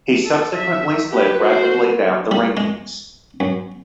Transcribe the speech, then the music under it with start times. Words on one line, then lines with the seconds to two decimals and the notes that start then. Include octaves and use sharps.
He subsequently slid rapidly down the rankings.
0.25 A4
0.54 E5
1.10 G4 B4
1.40 F#4 C5
2.31 G3
2.57 G#3
3.40 F#2